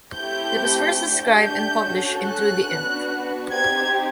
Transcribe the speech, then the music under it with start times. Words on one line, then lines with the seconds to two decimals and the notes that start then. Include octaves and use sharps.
It was first described and published in Trudy Imp.
0.13 A3 C4 E4 G4 G6
0.97 A3 D4 G4
1.40 G6
1.82 C#4 F#4 A4
2.24 F#6
2.66 B3 D4 F#4
3.50 C4 D#4 G4 G#6